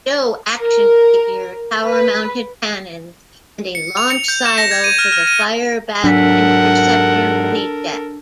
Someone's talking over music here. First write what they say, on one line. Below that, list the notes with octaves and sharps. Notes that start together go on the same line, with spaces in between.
Joe action figure, tower-mounted cannons, and a launch silo for the Firebat interceptor mini-jet.
A#4
B4
C#7
F7
C#7
G6
E7
A#6
G#6
D#7
F6
F6
D#7
G#2 F#3 D4 A4 A#4 F#5 B6